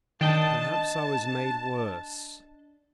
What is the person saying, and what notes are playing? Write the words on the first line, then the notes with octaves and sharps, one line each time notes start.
Perhaps I was made worse.
D#3 D4 D#5 G5 A5